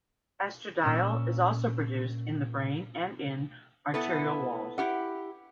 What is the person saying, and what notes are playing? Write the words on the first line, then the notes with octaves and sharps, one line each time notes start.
Estradiol is also produced in the brain and in arterial walls.
A#2 C#4 E6
B3 E4 A4 B4
E4 G4 F#5